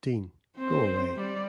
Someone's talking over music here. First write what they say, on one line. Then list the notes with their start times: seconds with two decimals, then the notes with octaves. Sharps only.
Dean, go away.
0.57 C4 C5
1.16 G3 D5